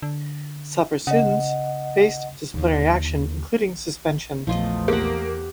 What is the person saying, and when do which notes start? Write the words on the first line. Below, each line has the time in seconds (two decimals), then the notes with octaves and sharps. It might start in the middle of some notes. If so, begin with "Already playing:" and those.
Several students faced disciplinary action, including suspension.
0.02 D3
1.07 C#3 D#5 F#5
2.54 D#2 D3
4.47 A#1 E2 F3 A3 F4 D#5
4.88 A#3 G4 F#5